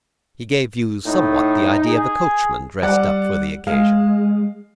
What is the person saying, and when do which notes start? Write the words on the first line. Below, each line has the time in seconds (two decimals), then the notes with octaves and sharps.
He gave you somewhat the idea of a coachman dressed up for the occasion.
1.06 A2 D#4
1.86 G#4
2.83 G3 D5 F#5
3.67 G#3 F5